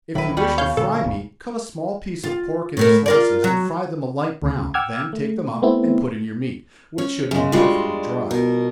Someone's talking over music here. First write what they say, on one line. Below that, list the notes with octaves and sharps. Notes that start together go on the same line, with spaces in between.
If you wish to fry meat, cut a small piece of pork into slices, and fry them a light brown, then take them up and put in your meat, which should be perfectly dry.
A#1 A2 D#3 F#3 E4 B4
D#2 G3 B3 F#4 G#4
C#3 C#5 F5 G6
A#2 D3 G#3 A4
F#1 D#2 A2
F4
A2 A3 A#4
F4 A#4 D5
F#3
D2 C#3
F#5 G5 D6 E6 F6 G#6
A3
A3 B3 C4 E4
C#4 C#5
F#2 C#3 G#3
G3 G#3 D4 F4 F#4
B2 A#4